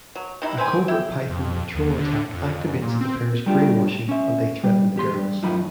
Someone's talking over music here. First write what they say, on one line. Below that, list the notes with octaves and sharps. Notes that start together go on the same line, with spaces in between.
A Cobra Python Patrol attack activates the pair's brainwashing and they threaten the girls.
F#3
C3 D#4 E4
C4 B4 G#5
E4 G5
F2
D#2
D3
F2
F#2
A#2
C4
G3 A3 D4 F4 G4
C#4 E5
G3
E2 G4 C6
G2
F#2 A2 D#3 F3 D#4 B5